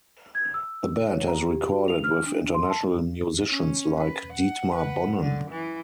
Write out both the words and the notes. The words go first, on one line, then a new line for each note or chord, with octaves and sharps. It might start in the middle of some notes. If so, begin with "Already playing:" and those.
The band has recorded with international musicians like Dietmar Bonnen.
G#6
E6
C#5
A#5
G4
F#4
F7
F6
D4
C6
A5
C#4
B4
F#5
B4 F#5
F#2 D3
E3